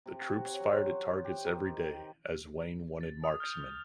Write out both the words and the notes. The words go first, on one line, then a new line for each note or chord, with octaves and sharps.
The troops fired at targets every day as Wayne wanted marksmen.
C3
F#4
C#5
F#3
C5
C5
G4
D#3
A6
D#6
F6 G6 F7